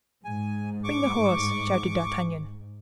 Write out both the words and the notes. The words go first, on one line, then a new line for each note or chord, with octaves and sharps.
"Bring the horse!" shouted D'Artagnan.
G#2 G#5
C#6 D6